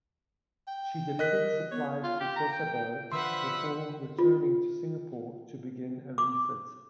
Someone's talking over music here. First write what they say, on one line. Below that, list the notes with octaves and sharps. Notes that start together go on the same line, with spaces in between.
She delivered supplies to Sasebo before returning to Singapore to begin a refit.
G5
A#4 D#5 F#6 B6
B3 C#5
F4
G4
A#5
G5
G5
D3 F3 B4 C5 E5 F#5 C6
F4
D6